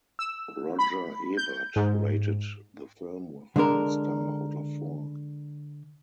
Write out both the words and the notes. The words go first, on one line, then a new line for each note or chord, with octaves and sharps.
Roger Ebert rated the film with one star out of four.
E6
B5
G6
G#2
D3 G#3 D4 A#4